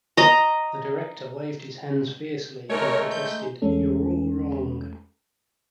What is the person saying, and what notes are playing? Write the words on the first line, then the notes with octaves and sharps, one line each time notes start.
The director waved his hands fiercely and protested You're all wrong!
D#5 A#5
G#3 A3 D#4 A#4 C#5
G6
E2 G#3 A3 C#4 A4